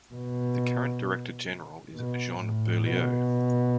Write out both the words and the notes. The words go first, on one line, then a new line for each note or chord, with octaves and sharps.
The current director general is Jean Beaulieu.
B2
B2
A2
B2